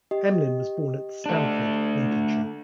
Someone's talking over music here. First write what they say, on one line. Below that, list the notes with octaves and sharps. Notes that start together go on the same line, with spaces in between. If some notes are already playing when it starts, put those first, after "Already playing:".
Emlyn was born at Stamford, Lincolnshire.
G4 D#5
A3 D4